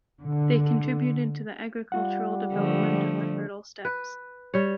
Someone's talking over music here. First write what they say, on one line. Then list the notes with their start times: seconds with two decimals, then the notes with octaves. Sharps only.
They contributed to the agricultural development of the fertile steppes.
0.23 D3
1.92 G3 F4 F#5
2.54 D3 F3 A3
3.85 B4
4.54 G3 C#5